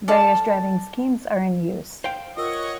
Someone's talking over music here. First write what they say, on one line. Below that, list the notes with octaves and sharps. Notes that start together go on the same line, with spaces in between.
Various driving schemes are in use.
A4 D5 F5 A5
C5 F5 G5
F4 A#4 C#5 D#5 F#5 C#6 E6